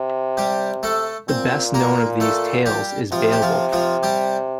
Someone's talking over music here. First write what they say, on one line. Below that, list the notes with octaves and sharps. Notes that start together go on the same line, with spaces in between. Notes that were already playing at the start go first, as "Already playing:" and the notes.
The best known of these tales is "Beowulf".
Already playing: C3
G3 G4
A3 A4
A#2 C4 C5
A#3 A#4
A3 A4
G3 G4
C3 F3 F4
G4
F3 F4
F3 F4
G3 G4